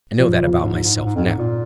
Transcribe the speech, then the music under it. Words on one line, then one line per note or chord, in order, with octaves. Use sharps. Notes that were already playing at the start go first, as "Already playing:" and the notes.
I know that about myself now.
A#2 F3
A#2
C#3
A#2
G#2
G#2
G#2
G#2
G#2
F2
G#2
A#2